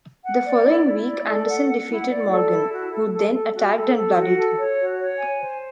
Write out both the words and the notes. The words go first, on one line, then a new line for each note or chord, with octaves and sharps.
The following week Anderson defeated Morgan, who then attacked and bloodied him.
F#5
D5
E4
E4
D5
A4
F#5
F#5
E4
D5
A4
E4
F#4
A4
A4
A4
F#4
A4
A4
F#4
A4
C#5
F#4
C#5
G#5
C5